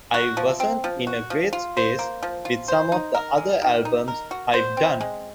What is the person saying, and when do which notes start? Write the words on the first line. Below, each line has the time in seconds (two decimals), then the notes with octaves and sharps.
I wasn't in a great space with some of the other albums I've done.
0.14 F#4
0.37 F3
0.60 C4
0.84 F3
1.07 F#4
1.30 F3
1.53 F4
1.77 C5
1.99 A#3
2.23 F3
2.45 F4
2.68 C5
2.92 D#4
3.15 A#4
3.38 G#3
3.62 D#3
3.85 D#4
4.08 A#4
4.31 F#4
4.54 C5
4.77 C4
5.01 G#3